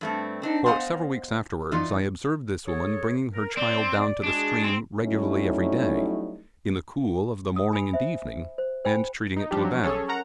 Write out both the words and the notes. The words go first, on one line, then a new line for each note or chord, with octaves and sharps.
For several weeks afterwards I observed this woman bringing her child down to the stream regularly every day, in the cool of the morning and evening and treating it to a bath.
G2 A3 C4
C4 D4 D#4
B3 C5 D#5 F5 F#5 G#5
E3 D#4 F4 D5
G#4 A4 C#5
A#4
C4 D5
G#3 D4 F#4 G#4
C4
F#3 G3 A3 C#4 D#4 E4
D#6
G#5 B5
C5 E5
C5
C5 G5 G#5 B5
D#4
F3 G3 D4 G4
F#3
C#4 G#4 A4 C#5
C#4 A#4 F#5 A#5